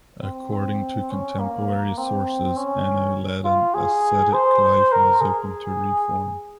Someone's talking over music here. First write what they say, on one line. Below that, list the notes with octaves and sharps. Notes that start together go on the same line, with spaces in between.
According to contemporary sources, Anno led an ascetic life and was open to reform.
C4
C4
C#4
A#3
C4
C#4
F4
G#4
C5
A#4
G#4